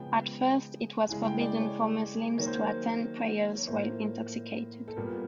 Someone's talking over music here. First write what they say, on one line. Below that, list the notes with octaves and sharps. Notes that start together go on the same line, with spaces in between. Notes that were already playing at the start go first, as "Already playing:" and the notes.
At first, it was forbidden for Muslims to attend prayers while intoxicated.
Already playing: C#3 F3 G#3 B3 G5
C#3 E3 G#3 G#5
G5
D5
C#5
D#3 F#3 A#3 C#5
C5
C#5
C#5
A2 F3 A#3 C5
A4
A#2 G3 B3 A#4